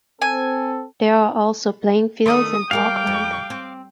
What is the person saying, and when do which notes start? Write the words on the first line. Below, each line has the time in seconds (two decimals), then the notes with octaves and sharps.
There are also playing fields and parkland.
0.22 C4 A4 G#5
2.26 D#3 A3 D4 D#6
2.71 G3 F#4 A#4 F5 G5 D6
3.07 F2
3.50 C4